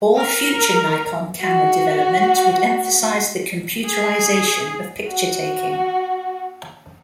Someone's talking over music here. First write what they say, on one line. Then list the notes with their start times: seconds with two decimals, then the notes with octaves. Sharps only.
All future Nikon camera development would emphasize the computerization of picture taking.
0.16 A#4
1.40 F#4
3.85 G#4
5.08 F#4